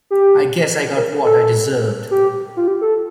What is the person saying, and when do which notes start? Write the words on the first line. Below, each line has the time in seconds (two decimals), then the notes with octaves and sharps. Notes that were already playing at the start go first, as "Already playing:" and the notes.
I guess I got what I deserved.
0.11 G4
0.96 A#4
1.25 A4
2.11 G4
2.57 F4
2.68 G4
2.81 A4